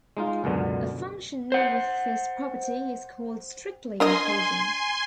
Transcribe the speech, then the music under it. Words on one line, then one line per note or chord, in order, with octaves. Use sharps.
A function with this property is called strictly increasing.
G#3 D#4 F4
C#2 F#2 B2 D3
C5 F#5
D4 A#4 D#5 G#5 C6